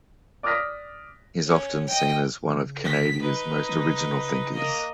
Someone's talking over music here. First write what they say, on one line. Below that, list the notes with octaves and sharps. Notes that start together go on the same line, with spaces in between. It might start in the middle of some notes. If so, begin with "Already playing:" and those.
He is often seen as one of Canada's most original thinkers.
D5 D6 D#6 F6 A#6 B6
C#4
D#5 G5
C#3
B6
D#4 B4
C#3
A#3 D#5